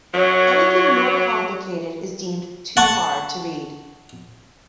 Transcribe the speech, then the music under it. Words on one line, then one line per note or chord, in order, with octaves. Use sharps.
Anything more complicated is deemed 'too hard to read.
F#3 C#5
F#5 A5 C#6